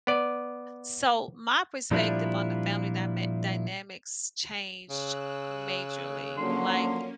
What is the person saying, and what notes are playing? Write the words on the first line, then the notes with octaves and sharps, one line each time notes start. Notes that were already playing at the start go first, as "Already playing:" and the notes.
So my perspective on the family dyma dynanamics changed majorly, like
B3 D5
A#2 F3 G3 D4 E4 F4
C#3 E6 F#6
D3 F3 F#3 A#3 C#4 C6